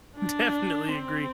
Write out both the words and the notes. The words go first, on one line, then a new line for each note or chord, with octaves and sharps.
definitely agree.
D4
C4